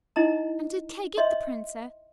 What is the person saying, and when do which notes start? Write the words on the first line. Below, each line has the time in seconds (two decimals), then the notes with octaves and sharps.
"And did Kay get the Princess?"
0.16 D#4 E4 D#5 A#5
1.17 C#5 D#5 E5 C6